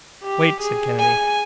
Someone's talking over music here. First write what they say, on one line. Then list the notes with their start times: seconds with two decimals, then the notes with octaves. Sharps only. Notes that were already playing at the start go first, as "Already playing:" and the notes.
"Wait!" said Kennedy.
0.24 G4
0.61 G#4
1.00 G#5